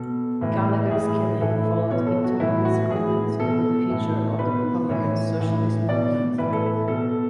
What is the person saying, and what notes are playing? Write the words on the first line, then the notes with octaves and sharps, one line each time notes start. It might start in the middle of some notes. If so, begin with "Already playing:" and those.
Gallagher's killing followed internal disagreements over the future of the republican socialist movement.
Already playing: B2 A4
A2 E3
A2 E3 G#4
A2 E3 A4
B2 C#5
A4
F#4
A2 E3 E4
F#4
A2 E3 G#4
B2 A4
A2 E3
B2 B4
A2 E3 C#5
A2 E3
B2 D5
A2 E3 B4
A4
B4
B2 A4